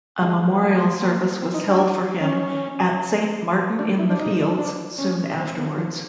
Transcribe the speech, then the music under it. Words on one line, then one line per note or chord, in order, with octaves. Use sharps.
A memorial service was held for him at Saint Martin-in-the-Fields soon afterwards.
G#3
A3
A#3
C4
D#4
D4
C#4
D4
E4
D4
D#4
D4
C#4
C4
B3
F3